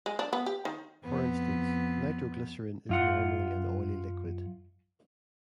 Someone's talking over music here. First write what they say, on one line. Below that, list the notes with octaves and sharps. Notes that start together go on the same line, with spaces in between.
For instance, nitroglycerin is normally an oily liquid.
G#3
D4
B3
G4
D#3
F2 B3
F#2 F4 F#5